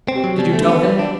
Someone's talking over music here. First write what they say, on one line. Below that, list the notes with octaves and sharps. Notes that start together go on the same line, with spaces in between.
Did you tell him?
C4
G4
F#3
G3 B3
A3
D4
B3
G3 B4
D4